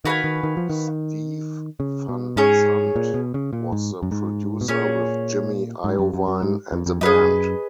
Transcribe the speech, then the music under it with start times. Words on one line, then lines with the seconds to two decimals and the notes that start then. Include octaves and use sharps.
Steve Van Zandt was the producer, with Jimmy Iovine and the band.
0.05 D#3 F#4 B4 F5 G#5
0.24 D#3
0.43 D#3
0.57 F3
0.70 D#3
1.80 C#3
2.09 B2
2.36 G#2 C#4 G#4 C#5
2.96 A#2
3.14 B2
3.34 C#3
3.53 A#2
3.72 G#2
4.03 F#2
4.12 G#2
4.61 B2
4.68 A#2 C#4 G#4 C#5
5.84 G#2
5.99 F#2
6.14 F#2
6.28 F#2
6.43 G#2
6.72 F2
6.86 F2
7.01 F#2 G#4 B4 D#5